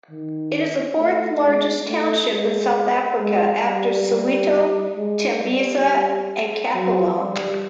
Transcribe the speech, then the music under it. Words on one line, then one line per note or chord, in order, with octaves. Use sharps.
It is the fourth largest township in South Africa, after Soweto, Tembisa and Katlehong.
D#3
A3
G#3
A3
G#3
G#3
G3
G3
G#3
G3
F#3
G3